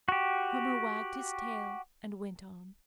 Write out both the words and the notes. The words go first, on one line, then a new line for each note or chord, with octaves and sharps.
Homo wagged his tail, and went on.
F#4 G4